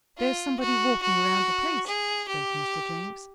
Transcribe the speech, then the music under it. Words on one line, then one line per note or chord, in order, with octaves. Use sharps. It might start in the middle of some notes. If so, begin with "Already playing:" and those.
"There's somebody walking around the place," spoke Mr. Jenks.
F4
F#4
F#4
G#4
G4